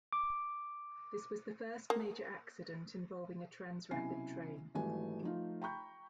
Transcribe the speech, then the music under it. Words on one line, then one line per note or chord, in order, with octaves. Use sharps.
This was the first major accident involving a Transrapid train.
D6
A#3
B1 C3 C#4 E4 G#5 C7
G#1 E3 F#3 G3 A3 G#5
F3 A3 D#4 F4
G5 A#5 B5 C#6 G6